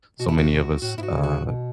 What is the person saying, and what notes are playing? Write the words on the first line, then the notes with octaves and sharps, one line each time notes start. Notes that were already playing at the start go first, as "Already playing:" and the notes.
so many of us uh,
B2 F#4
E4
C#3 F#4
B2
A2 F#4
G#2 E4
F#4
C#3
C#3 F#4
B2